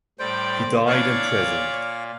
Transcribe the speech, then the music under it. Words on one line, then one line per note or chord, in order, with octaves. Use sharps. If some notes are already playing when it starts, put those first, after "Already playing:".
He died in prison.
A2 G3 C5 D5 G5
E3 D4 C#5 D5 F5
A#2